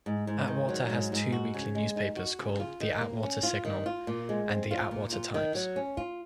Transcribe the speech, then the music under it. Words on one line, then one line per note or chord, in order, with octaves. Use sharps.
Atwater has two weekly newspapers called "The Atwater Signal" and "The Atwater Times".
G#2
G#2
D#3
F#3
G#2
G#2
F#4
C#3
G#3
D#4
F#4
C#3
F4
D#3
A#3
C#4
F4
D#3
F4
A#2
G#3
C4
F4
A#2
F4
D#3
F#3
C#4
F4